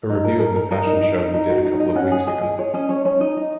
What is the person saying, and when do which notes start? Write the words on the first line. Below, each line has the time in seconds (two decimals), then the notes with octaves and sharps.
A review of the fashion show he did a couple of weeks ago.
0.09 D#4
0.25 A#4
0.40 A#4
0.56 A#4
0.71 A#4 D#5
0.87 D#4
1.03 D#4
1.18 D#4
1.34 D#4
1.50 F#4
1.65 D#4
1.80 D#4
1.95 C#4 F#5
2.11 G#4
2.27 G#4 D#5
2.43 G#4
2.59 G#4 C#5
2.74 C#4 D#5
2.89 C#4 C#5
3.05 C#4 C#5
3.20 D#4 D#5
3.37 D#4